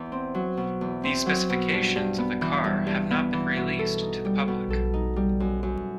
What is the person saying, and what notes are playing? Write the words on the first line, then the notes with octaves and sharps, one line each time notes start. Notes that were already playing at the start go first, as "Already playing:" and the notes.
The specifications of the car have not been released to the public.
Already playing: E2
C4
F#3
B2
E2
C4
F#3
B2
G2
G2
B3
E3
G2
G2
B3
E3
B2
A4
D#4
G3
B2
A4
D#4
G3
F#2
F#2